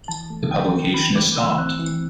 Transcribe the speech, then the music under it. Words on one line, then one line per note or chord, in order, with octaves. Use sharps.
The publication is stopped.
E3 A5
A3
E3 G5
C4
E3 B5
A3 D6
E3 E6
C4 F#6
E3